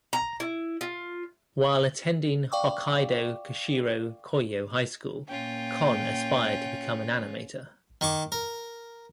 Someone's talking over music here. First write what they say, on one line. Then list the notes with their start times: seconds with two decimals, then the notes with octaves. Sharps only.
While attending Hokkaido Kushiro Koryo High School, Kon aspired to become an animator.
0.13 A#5
0.40 E4
0.81 F4
2.52 D5 F5 G5 C#6 D6
5.28 A#2 A#3 C#4 F4 G5
8.01 D#3 C#6 D6
8.32 A#4